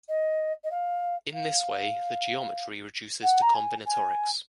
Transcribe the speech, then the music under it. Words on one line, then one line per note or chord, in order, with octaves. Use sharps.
In this way the geometry reduces to combinatorics.
D#5
D#5
F5
F5
F#5
A#5
G#5
G#5